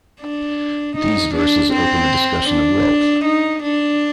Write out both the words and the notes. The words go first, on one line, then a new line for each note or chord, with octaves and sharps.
These verses open the discussion of wealth.
D4
D#4
D4
C4
D4
D#4
D4